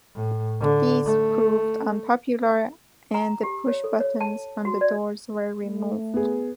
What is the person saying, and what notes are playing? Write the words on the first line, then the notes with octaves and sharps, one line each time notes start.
These proved unpopular and the push-buttons on the doors were removed.
A2
D3
A3
A#5
G4
C#5
A4
C#5
A5
F#4
D5
A3
B3 G#4